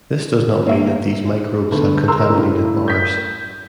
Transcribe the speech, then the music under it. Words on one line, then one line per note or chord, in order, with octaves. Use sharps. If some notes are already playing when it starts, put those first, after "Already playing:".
This does not mean that these microbes have contaminated Mars.
A#3 C#5 E5
D2 G2 A3 B3
G#4 A#4 A#5 C6 E6
A2 C#3
G6 B6